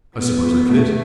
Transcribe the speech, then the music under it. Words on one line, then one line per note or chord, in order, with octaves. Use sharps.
"I suppose I could."
B3
A3